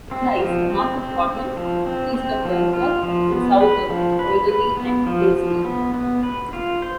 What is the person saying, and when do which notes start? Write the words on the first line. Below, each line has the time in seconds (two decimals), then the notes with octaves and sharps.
It lies north of Horton, east of Dunkirk and south of Alderley and Hillesley.
0.11 C4
0.40 F3
0.70 C4
0.98 C4
1.28 C4
1.57 F3
1.86 C4
2.15 C4
2.45 F3
2.73 F4
3.03 F3
3.32 B3
3.61 B4
3.89 F3
4.19 B4
4.49 B4
4.77 B3
5.06 F3
5.36 F3
5.65 B3
5.94 B3
6.23 B4
6.53 F4
6.82 C5